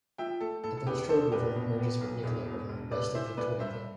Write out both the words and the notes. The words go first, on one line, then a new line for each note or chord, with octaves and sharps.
The Bulstrode River merges with Nicolet River west of Victoriaville.
F3 E5 G5
A3 A4
A2 A4
A4
E2 G4 B4
D3 A4 C5
F1 G4 B4
B2
B3
B1
E2
B2
E1
C3 B4 D5
E3 C5 E5
D2 B4 D5
G2 C5 E5